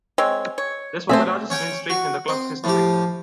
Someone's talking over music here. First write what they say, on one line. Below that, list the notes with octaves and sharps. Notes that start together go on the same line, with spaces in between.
This was the largest win streak in the club's history.
G#3 C4 C#5
C#5
A3 C4 G#4 C5 E5
C#4 C#5 G5
F#4
C4
A2 F3 G4